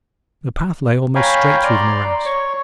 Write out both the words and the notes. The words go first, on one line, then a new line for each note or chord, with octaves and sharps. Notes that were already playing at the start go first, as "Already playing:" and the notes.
The path lay almost straight through the morass.
C#5 F5 G5 G#5 A#5 B5
D5 A#5 C6
C#5 C#6